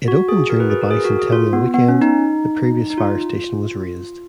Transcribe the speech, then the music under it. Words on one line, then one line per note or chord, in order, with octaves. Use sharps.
It opened during the bicentennial weekend; the previous fire station was razed.
F#4
G#4
F#4 A#4
G#4 B4
G#4 B4
F#4 A#4
G#4
F#4 A#4
G#4
F4
B3
B3
C#4
D#4
D#4
F4